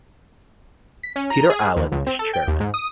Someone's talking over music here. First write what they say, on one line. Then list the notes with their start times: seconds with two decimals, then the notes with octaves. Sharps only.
Peter Allen is chairman.
1.03 B6
1.16 C#4
1.30 A#5
1.50 G#4
1.76 D#2
1.92 C#2
2.07 C4
2.19 A4
2.33 G5
2.48 D#2
2.60 G#2
2.74 D#6